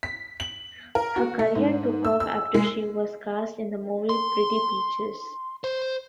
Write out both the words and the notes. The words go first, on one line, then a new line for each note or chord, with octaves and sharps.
Her career took off after she was cast in the movie "Pretty Peaches".
B6
F#7
A#4
F#4
A3
G#2
E6
E6
G#3
C6
C5